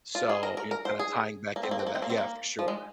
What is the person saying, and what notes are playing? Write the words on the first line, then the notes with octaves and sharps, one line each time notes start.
so, you know, kind of tying back into that yeah, for sure.
F4
G#4
A#4
A#4
A#4
C5
G#4
A#3
C4
A#3
C4
A#3
C4
A#3
C4
A#3
F3
G#3